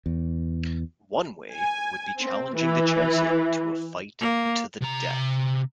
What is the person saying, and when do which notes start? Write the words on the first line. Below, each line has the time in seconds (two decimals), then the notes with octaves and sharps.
One way would be challenging the Chancellor to a fight to the death.
0.06 E2
1.55 G#5
2.19 C4
2.57 E3
4.20 A#3
4.81 C3 A#5